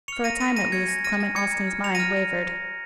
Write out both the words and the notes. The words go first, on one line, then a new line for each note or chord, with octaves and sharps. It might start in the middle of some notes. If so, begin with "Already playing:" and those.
For a time, at least, Clement Austin's mind wavered.
C#6 F6 C#7 F7
A#5 A#6 D#7
C#6 F6 A#6 D#7
A#5 A#6 D#7
C#6 F6 G#6 C#7
G#5 A#6
F6 A#6 D#7
G#5 A#6
F6 G#6 C#7
A#5
F6
A#5 C#7 F7
A#6 D#7
F6